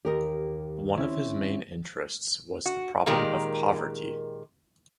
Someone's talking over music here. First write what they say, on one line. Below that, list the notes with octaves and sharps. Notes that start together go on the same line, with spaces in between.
One of his main interests was the problem of poverty.
D#2 G4 A#4 D#5
C4 C#4 E4
F#4
A#2 D#3 G#3 G4 A#4